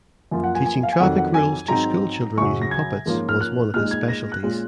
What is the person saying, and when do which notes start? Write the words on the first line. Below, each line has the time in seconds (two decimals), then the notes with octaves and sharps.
Teaching traffic rules to school children using puppets was one of his specialties.
0.31 F#2 F3 A#3 F4
0.44 F#5
0.55 G#5
0.66 G#5
0.83 F5
0.92 G#5
1.00 F2 D#3 F#3 F#5
1.18 F#5
1.34 G#5
1.68 G#2 F#3 C4 D#4 A#5
2.37 F#2 C#3 F#3 C#6
2.62 A#6
2.71 G#6
3.06 G#2 F3 A#3 C#4 F4
3.29 F6
3.40 F#6
3.74 A#2 G#3 D#4 F6
3.91 G#6
4.08 A#6
4.32 F#6
4.43 A#2 G#3 C#4 F4